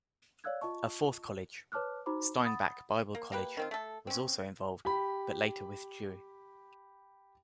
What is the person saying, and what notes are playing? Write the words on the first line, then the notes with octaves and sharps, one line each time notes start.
A fourth college, Steinbach Bible College, was also involved, but later withdrew.
C#5 D5 F5 E6 F#6 G#6
F4 D#5 A5 C#6
B4 C#5 A5 D6 F6 F#6
D#4 F#4 C5 A#5 B5 D6
F#5 B5 D#6 A6
A#3
A#3 G4 B4
D#3 C4 F4
A3 A4
C4 C#4
G4 B5